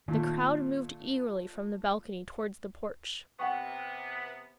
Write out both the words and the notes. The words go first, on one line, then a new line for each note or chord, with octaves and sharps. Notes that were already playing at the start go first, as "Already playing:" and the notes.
The crowd moved eagerly from the balcony toward the porch.
A#2 D#3 A3
C3 B3 F#5 G5 C#6